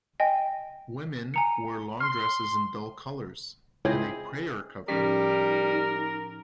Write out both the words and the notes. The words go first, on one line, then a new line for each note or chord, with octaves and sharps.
Women wore long dresses in dull colors, and a "prayer covering".
D#5 G5 G#5
G#5 A#5 C#7
C6 F6
C#2 C4 E4 G#4 D#5
A2 F3 G3 C#4 D#4 A#4